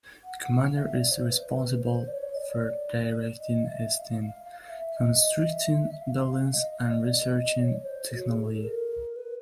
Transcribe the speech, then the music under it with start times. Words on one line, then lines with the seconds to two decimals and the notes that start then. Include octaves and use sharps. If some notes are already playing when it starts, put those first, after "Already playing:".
A commander is responsible for directing his team, constructing buildings and researching technology.
0.24 F#5
0.42 F#5
0.59 F5
0.77 E5
0.94 D5
1.11 C5
1.29 B4
1.82 C5
2.08 D5
2.13 C#5
2.35 D#5
2.38 D5
3.39 D#5
3.65 F5
3.69 E5
3.92 F5
4.09 F5
4.27 F5
4.44 F5
4.70 E5
4.97 D#5
5.49 E5
6.02 F5
6.54 D#5
6.71 D#5
6.89 D5
7.06 D#5
7.59 D5
7.63 C#5
7.85 C5
8.11 F#4
8.29 G#4
8.46 A4
8.63 A#4
9.16 B4